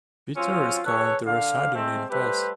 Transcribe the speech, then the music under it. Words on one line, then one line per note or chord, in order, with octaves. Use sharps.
Peter is currently residing in Perth.
F#3 C4 C#4 F4
G#4 A4 B4 C#5
D3 F5
G#3 A3 C4
G3 A3 G4 B4 C5